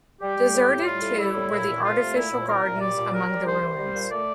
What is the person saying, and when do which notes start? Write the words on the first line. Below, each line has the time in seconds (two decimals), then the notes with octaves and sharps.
Deserted, too, were the artificial gardens among the ruins.
0.21 G3 G4
0.37 G3
0.54 A2
0.70 A2
0.85 G3 F4
1.02 A2
1.18 G3 E4
1.35 A2
1.50 A#2 E4
1.67 A#2
1.83 C2 F4
1.99 A3
2.16 A#2 E4
2.31 A#2
2.41 C5
2.48 C2 A#4
2.65 A#2
2.77 E5
2.81 G3 D5
2.97 A#2
3.13 G3 A#4
3.30 G3
3.36 D5
3.45 C2 C5
3.62 C2
3.78 G3
3.94 A#2
4.11 A3 D5